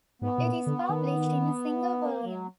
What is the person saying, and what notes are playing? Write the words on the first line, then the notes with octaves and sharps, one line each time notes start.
It is published in a single volume.
G#2 B3
B2
A#2
D3
D#3
A#3
F#3